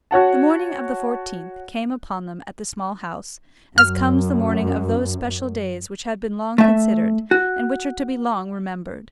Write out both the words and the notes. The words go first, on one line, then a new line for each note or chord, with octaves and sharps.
The morning of the fourteenth came upon them at the Small House, as comes the morning of those special days which have been long considered, and which are to be long remembered.
F#4 C#5 F#5 A5
F#2 F6
A3 E5
F#4